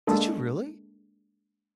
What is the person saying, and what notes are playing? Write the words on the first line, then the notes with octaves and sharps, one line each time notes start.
Did you really?
G#3 A#3 D4 A4